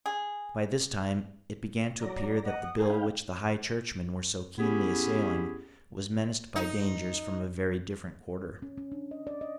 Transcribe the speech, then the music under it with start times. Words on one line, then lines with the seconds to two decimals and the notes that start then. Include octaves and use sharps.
But by this time it began to appear that the bill which the High Churchmen were so keenly assailing was menaced by dangers from a very different quarter.
0.06 G#4
2.00 F#3 D5 A#5
2.45 D#5 F#5
2.63 D#6
2.78 G#4 A#4 C5 G5 G#5
2.90 D#4 F5 G5 B5
4.58 B3 C#4 E4 G4 G#4
6.56 D#4
8.62 C#4
8.78 C#4
8.92 D4
9.11 D#5
9.27 D5
9.41 D#5